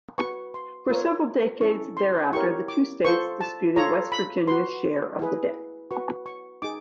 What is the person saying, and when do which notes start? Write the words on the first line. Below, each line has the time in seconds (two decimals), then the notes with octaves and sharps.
For several decades thereafter, the two states disputed West Virginia's share of the debt.
0.18 F#4 B4 C#6
0.54 C6
0.89 F4 A#4 C#5
1.61 C#4 E4 A4 C#6
1.97 C6
2.32 E4 G4 A#4 C#5 C#6
2.68 D6
3.05 F4 A4 C5 C#6
3.41 A5
3.76 F4 A4 C#5 A#5
4.12 B5
4.48 F#4 B4 C6
5.19 E4 G#4 B4
5.91 F#4 B4 C#6
6.26 C#6
6.62 D#4 G#4 D6